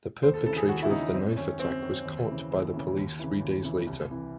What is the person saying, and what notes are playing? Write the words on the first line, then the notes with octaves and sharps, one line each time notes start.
The perpetrator of the knife attack was caught by the police three days later.
D#2 C5
A4
C#3 E3 A4
G#4
D#2 F#4
E4
C#3 E3 D#4
F#2 C4
D#3 C#4
F#2 C4
D#3
D#2
C#3 E3
D#2
C#3 E3
D#2
C#3 E3
D#2
C#3 E3
C2
C3 E3